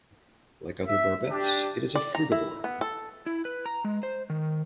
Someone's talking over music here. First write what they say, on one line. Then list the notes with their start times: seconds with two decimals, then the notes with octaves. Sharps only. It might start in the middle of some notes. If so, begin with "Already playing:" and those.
Like other barbets it is a frugivore.
0.86 E5
1.30 D4 G4
1.95 D5
2.15 A#5
2.32 E4
2.64 B3
2.81 A4
3.26 E4
3.45 B4
3.66 A#5
3.84 G#3
4.03 C5
4.30 D#3